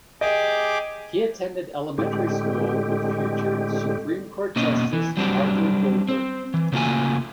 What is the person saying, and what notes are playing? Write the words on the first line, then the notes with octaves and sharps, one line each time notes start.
He attended elementary school with future Supreme Court Justice Arthur Goldberg.
G4 G#4 D#5 D6
A2 D3 G#3 C4 G4
B2 A#3 C#4 D#5
E3
F#3 G3 C4 D4 F#4
C4
E3
C#3 A3 A#3 F4 F#4 G#5